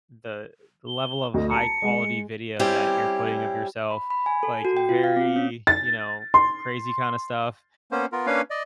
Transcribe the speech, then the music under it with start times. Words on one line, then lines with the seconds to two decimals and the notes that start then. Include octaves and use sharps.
the level of high quality video that you're putting of yourself, like, very, you know, crazy kinda stuff,
0.88 G7
1.34 D2 D#5
1.51 A5 A#5 C#7
1.82 G#3
2.60 G3 C4 C#4 E4 G4
3.91 B5
4.10 B5
4.26 G#5
4.43 A4
4.65 F#4
4.77 G5
4.89 F4
5.04 F5
5.16 C4
5.36 C#4
5.67 A6
6.34 C6
7.91 A#3 B3 C#4 C5
8.12 B3 F4 A#4
8.27 A#3 C#4 D4 B4 C#5 F5
8.50 D5 D#5